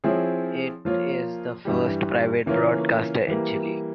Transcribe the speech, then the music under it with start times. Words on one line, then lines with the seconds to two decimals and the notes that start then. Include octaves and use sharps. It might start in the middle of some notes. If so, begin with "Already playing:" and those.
It is the first private broadcaster in Chile.
0.04 F3 C4 E4 G#4 C#5
0.85 F3 A#3 F4 A#4 C#5
1.65 G2 E3 G3
2.46 C#3 E3 A#3 C#4 F4
3.27 E3 G3 A#3